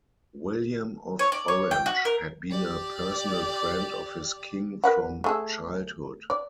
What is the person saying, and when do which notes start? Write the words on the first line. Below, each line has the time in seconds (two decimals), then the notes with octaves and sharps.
William of Orange had been a personal friend of his King from childhood.
1.19 C#5
1.32 D5
1.48 C#5
1.71 G5
1.86 F#4
2.05 A#4
2.51 G4 D5
4.84 A#4 B4 F#5
5.24 A3 G#4 A4
6.30 D5